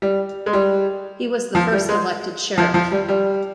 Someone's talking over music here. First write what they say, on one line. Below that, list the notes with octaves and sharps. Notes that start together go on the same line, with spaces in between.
He was the first elected sheriff.
G3
G#3
G3
F3
G3
G#3
F3
F3
G3
G3